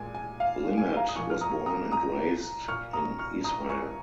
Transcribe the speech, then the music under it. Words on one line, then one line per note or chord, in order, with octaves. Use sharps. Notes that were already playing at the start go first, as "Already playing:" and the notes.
Linet was born and raised in Israel.
Already playing: A#2 G#3 G#5
G#5
F5
G#5
F5 A#5
D#6
A#2 F3 A#3 G#5 C#6
F6
A#5 D#6
A#5 D#6
A#5 D#6
A#2 A#3 C#6 F6
A#5 D#6
C#6 F6
A#5 D#6
G#5 C#6